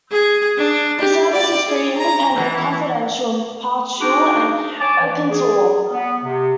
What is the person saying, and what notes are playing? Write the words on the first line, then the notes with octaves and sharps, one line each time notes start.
The service is free, independent, confidential, impartial and open to all.
G#4
D4
G4
D5
G#4
A#5
E3
D4 D#4 F#4 G#4 D6
C#5 G#5 A5 D6
E3
G#4
B3
C3